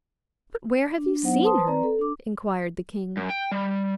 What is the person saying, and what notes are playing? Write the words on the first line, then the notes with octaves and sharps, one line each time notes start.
"But where have you seen her?" enquired the King.
D4
F#3 B3 D#4 C5 F#5
B4 C5 A5 C6 D#6
C4 B4 D5 A#5
A4
D4 D6
F#2
G5
G3